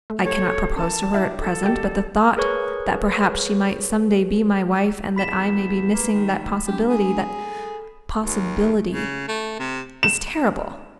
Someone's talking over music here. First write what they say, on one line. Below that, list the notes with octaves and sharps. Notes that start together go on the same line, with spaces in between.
I cannot propose to her at present, but the thought that perhaps she might someday be my wife and that I may be missing that possibility... that possibility... is terrible.
A3
G4 A4 C#5
C#4 A#4 A5
G3 D4 E4 F#4 E5
A4
D#2 D3 G3 F#4 G4
G#4 A#4 B4 C#5 C#6
E2 B5 B6 E7
A#3 B4
D#3 A3
G#3 C4 D4 G4
G#4
A4
D#2
C#3
A3
C3
E7